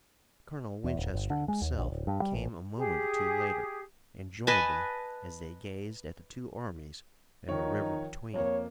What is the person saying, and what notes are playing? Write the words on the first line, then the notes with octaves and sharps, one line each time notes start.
Colonel Winchester himself came a moment or two later and joined them as they gazed at the two armies and the river between.
E2
D#1
G1
D3
G#3
D#2
A#1
D1
G2
G3
A1
G4 G#4
B4 D#5 G#5 A5
D#3 F3 D#4 C#5
F2 A#3 C#5